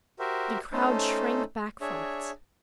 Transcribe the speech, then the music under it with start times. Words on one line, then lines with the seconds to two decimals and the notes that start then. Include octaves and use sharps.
The crowd shrank back from it.
0.19 F#4 G4 A#4 C5 E5
0.72 A3 C#4 D#4 A4 C5
1.81 D4 G#4 C#5 E5